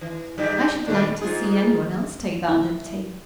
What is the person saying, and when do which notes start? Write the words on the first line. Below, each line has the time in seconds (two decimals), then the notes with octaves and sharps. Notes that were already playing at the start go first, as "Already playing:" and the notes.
I should like to see anyone else take that liberty.
0.01 E3
0.38 G2 G3 G4
0.86 A#2 D#3 D4
1.21 G#2 F4 G#4
2.48 E4